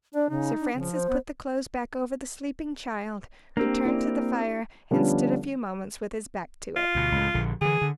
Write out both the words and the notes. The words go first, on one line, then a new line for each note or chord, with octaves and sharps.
Sir Francis put the clothes back over the sleeping child, returned to the fire, and stood a few moments with his back to it.
D4 D5
C#3 D#4
D4
C#3 F3
C5
B3
A#3 C4 D4 G4
E4 D5
D3 F3 G3 B3 C#4 D4
F4
D2 B2
C#2 A2
A#1 D3
D3 E3 G#4
D3